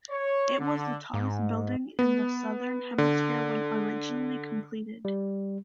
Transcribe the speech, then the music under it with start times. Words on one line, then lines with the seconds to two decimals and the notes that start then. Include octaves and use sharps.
It was the tallest building in the southern hemisphere when originally completed.
0.11 C#5
0.59 D3
1.14 G#2
1.99 B3
2.98 D3
5.05 G3